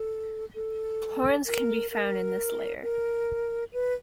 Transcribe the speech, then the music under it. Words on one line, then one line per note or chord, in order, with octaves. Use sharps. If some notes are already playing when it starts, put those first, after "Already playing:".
Porins can be found in this layer.
Already playing: A4
A4
A#4
A#4
A#4
B4